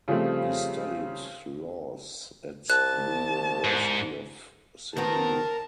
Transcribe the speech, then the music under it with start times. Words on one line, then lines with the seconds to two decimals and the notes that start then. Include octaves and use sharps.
He studied Laws at the University of Seville.
0.08 C#3 F3 G3 A3 C4
2.70 C2 A5 F#6
3.64 G#2
4.97 D#3 B3 C4 A#4 A5